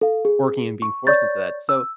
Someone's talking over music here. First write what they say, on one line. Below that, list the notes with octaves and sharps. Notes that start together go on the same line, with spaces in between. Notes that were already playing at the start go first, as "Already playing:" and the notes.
working and being forced into that, so
A4 F5
G#4
C#6
C#5 D5 C#6 G6 A6
E6